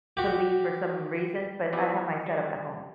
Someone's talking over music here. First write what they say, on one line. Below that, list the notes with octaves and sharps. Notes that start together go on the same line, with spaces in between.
to leave for some reason, but I have my setup at home,
F#4 G4
F3 B3 E4 G4 B4 D5
G3